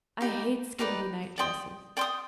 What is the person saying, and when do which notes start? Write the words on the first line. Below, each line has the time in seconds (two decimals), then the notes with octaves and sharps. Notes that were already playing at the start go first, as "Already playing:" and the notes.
I hate skimpy night-dresses.
0.21 D#4 G4 B4 D5
0.79 D#4 G4 B4 D5
1.38 D5 G5 C6 D#6
1.97 D5 G5 C6 D#6